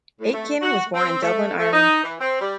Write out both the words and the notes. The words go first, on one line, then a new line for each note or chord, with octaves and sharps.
Aitken was born in Dublin, Ireland.
A2
A3
F#4
C4
A3
A3
D#4
E3
C4
G3